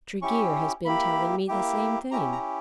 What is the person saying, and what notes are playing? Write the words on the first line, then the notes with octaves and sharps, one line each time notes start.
"Tregear has been telling me the same thing."
C#4 E4 G4 C#6
A#3 E4 G4 B5
A#3 E4 G4
C#4 E4 G4 A#5
A#5